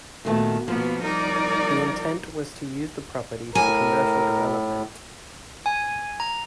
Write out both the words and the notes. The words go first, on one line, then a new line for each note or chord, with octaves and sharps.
The intent was to use the property for commercial development.
A#2 D#3 A3 B3 F#4
B2 F3 A#3 B3 F5
G3 D#4 A#4 D5
A2 A#4 G#5
G#5
A#5